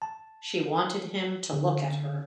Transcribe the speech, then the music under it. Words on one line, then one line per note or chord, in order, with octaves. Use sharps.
She wanted him to look at her.
A5
D3